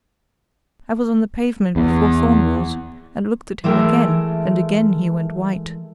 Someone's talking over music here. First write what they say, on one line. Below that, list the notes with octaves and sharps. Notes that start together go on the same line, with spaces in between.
I was on the pavement before Thorn was, and looked at him again, and again he went white.
E2
E3 G#3 A3 A#4 G5